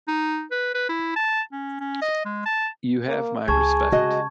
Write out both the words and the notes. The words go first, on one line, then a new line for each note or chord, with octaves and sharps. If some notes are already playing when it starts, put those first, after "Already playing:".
You have my respect.
D#4
B4
B4
E4
A5
C#4
C#4
D#5
G#3
A5
A#3
C#2 G#4 A5 C#6 G#6
C#3 G#3 F#4 D#5